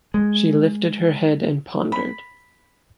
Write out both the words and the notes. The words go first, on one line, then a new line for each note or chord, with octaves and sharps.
She lifted her head and pondered.
G#3
B5